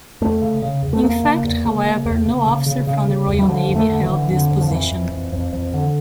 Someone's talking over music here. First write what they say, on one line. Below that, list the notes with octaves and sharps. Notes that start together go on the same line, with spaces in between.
In fact, however, no officer from the Royal Navy held this position.
E2 A3
C#3
C#3
E2
A3
E2 A#3
C#3
E2
C#3
C#3
E2
C#3
C#3
C#3
C#3
C#3
E2
G3
D3 F3
F2
A3
D3
E3
D3
F2 D3
F2
F3
F2 E3
F2
F2
F2
F2
D3